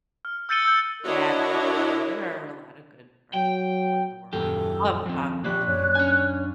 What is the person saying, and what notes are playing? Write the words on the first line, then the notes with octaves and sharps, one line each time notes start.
bad people are, there are a lot of good friendly people in the world that love talking to you.
F6
E6 G6 A6 C#7 D#7 G7
E6 G6
D4 E4 F#4 A#4 C#5 D#5
F#3 G5
D#1 F#2 A#3 G4 A4
F3 C4
F3 A#3 G4 C#5 D5 B5 F#6
F#2 C#5
A#3 C#4 D4 G#5